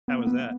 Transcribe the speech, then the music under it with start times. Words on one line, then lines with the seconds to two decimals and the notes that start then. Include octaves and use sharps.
How was that?
0.08 B3
0.18 A#3
0.27 B3